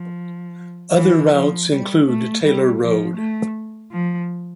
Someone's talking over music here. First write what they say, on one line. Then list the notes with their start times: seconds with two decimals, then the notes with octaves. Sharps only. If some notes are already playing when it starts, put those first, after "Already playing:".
Other routes include Taylor Road.
Already playing: F3
0.96 E3
1.32 F3
1.70 G3
2.07 A3
2.44 G3
2.81 F3
3.18 A3
3.92 F3